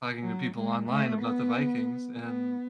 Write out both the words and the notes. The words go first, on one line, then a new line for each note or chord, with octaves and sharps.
talking to people online about the Vikings, and,
F#3
G#3
A3
B3
B3